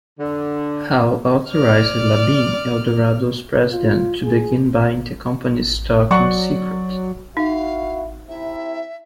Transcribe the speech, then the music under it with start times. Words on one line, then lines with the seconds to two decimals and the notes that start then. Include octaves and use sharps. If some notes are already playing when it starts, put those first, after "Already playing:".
Howe authorized LaBine, Eldorado's president, to begin buying the company's stock in secret.
0.19 D3
1.50 D5 F6
3.71 F4
4.22 G#4
6.11 F#3 D5 F#5 C#6
7.37 D#4 E4 F#4 F5
8.28 C3 E4 E5